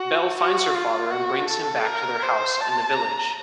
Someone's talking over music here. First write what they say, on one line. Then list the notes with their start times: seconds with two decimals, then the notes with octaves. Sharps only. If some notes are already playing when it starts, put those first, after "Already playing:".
Belle finds her father and brings him back to their house in the village.
Already playing: F#4
0.37 F#4
0.74 F4
1.11 F#4
1.49 A4
1.85 A#4
2.22 C5
2.60 A5
2.96 A#5